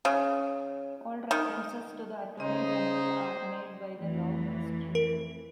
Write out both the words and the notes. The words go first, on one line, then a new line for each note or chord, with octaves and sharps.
All references to the Attorney General are made by the Law Ministry.
C#3
D#3
C#3 D#4 G#4 C5 D#5
F2 E3 A3
A#4